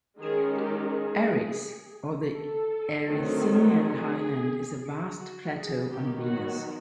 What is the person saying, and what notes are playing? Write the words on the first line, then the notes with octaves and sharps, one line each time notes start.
Eryx, or the Erycinian Highland, is a vast plateau on Venus.
D#3 G#3 C#4 G#4
G4
G#4
A4
D#3 F#3 A3 C4
G#4
F#4
G#4
D#3 F#3 B3 G4
F#4